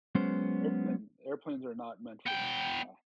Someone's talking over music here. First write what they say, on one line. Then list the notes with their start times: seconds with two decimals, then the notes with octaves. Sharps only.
airplane airplanes are not meant for me, yeah.
0.15 F#3 G#3 B3 C#4 C5
2.26 B3 G5